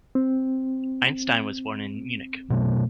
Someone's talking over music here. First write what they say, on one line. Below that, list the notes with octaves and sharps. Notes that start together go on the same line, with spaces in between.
Einstein was born in Munich.
C4
B2 F#3 A3